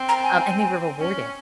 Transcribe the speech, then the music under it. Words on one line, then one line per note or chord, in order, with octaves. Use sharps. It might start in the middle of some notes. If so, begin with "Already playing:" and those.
Um, and they were rewarded
Already playing: C4
A#5
G#5
C#4